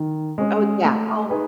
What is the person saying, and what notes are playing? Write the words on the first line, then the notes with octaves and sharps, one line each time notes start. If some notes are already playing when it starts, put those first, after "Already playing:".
Oh yeah, oh
Already playing: D#3
G#3 C#4
A3
D#4 G#4 B4